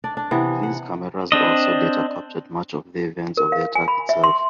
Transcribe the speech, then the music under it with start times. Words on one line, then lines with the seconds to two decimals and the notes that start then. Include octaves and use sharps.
These cameras also later captured much of the events of the attack itself.
0.04 D4 D5
0.17 D4
0.31 C3 E3 B3
0.63 F#5
1.32 C4 D4 D#5
3.37 A#4
3.52 F5
3.75 G#5
3.88 B5
4.09 E5
4.24 C6